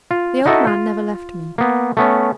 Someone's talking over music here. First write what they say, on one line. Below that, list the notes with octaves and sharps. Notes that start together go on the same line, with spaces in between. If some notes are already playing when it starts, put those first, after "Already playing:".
The old man never left me.
F4
D#4 E4 F#4 A4 D#5 E5
F4
A#3 B3
A3 B3 C#4